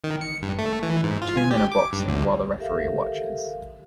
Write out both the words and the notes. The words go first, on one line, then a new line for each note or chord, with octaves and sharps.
Two men are boxing while the referee watches.
D#3
C#7
G2
A3
E3
G#2
F4
G#5
G4
D6
G2
D2
G4 A4 A#4 E5 F5